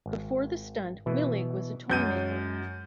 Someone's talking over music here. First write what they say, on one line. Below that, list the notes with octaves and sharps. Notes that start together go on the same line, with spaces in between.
Before the stunt, Willig was a toymaker.
G#1
B2 E3
F#2 G#3 C#4 G6 D#7